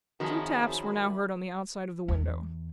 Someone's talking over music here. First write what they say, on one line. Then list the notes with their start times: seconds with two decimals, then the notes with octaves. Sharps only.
Two taps were now heard on the outside of the window.
0.20 F#2 D#3 F3 B3 C4 F#4 G#4 A5
2.08 E2